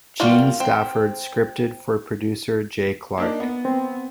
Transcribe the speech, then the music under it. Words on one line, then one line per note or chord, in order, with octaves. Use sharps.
Gene Stafford scripted for producer Jay Clark.
G3 A#3 F4 F#4
C4
A#3 D4 D#4
B3
C4